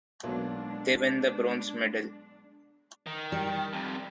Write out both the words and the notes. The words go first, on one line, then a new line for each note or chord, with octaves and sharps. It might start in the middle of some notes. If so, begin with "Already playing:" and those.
They win the bronze medal.
B1 F#3 G#3 A#3 D4
D#3
G3
F2 C3